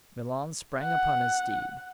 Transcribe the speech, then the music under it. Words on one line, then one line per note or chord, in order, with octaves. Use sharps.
Milon sprang upon his steed.
F#5